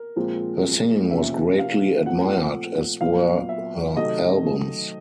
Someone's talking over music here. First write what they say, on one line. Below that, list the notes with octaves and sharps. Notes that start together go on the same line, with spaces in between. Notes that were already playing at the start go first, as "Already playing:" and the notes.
Her singing was greatly admired as were her albums.
Already playing: A#4
A#2 F3 G#3 C4
C3 F3 A#3 C#4 E5
F5
A#2 F3 A3 C4 F#5
A#2 F#3 B3 F5
E5
C3 D#3 F#3 A3 D#5